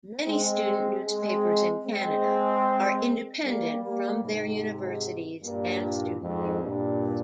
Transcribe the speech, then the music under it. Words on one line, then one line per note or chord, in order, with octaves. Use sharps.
Many student newspapers in Canada are independent from their universities and student unions.
G#3 C4
G#3 C4
G#3 C4
G3 A#3
G3 A#3
G#2 C3
G2 A#2
F2 G#2
G2 A#2